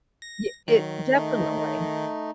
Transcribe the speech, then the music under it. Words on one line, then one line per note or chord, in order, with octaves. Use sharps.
Ye it definitely.
A#6
D#3 F#3
A3 D#4